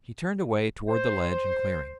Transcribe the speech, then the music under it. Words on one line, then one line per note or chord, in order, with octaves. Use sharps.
He turned away toward the ledge and clearing.
C5